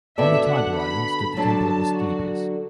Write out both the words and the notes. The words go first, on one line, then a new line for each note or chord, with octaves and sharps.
On the Tiber Island stood the Temple of Asclepius.
D3 B3 F#4 A4 D5 E5
F#5
B5
D3 F#3 D4 A4 A5
A5
F#4